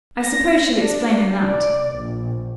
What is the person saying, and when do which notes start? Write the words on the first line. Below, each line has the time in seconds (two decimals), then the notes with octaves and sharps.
I suppose she'll explain in that.
0.23 A#6
0.80 D4
1.49 D5
2.02 A#1